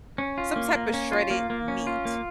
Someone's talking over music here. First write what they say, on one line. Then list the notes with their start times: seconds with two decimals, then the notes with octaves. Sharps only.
Some type of shredded meat,
0.18 C#4
0.38 F4
0.56 A#3
0.75 A#3
0.93 C#4
1.12 F4
1.31 A#3
1.50 A#3
1.68 C#4
1.87 F4
2.05 A#3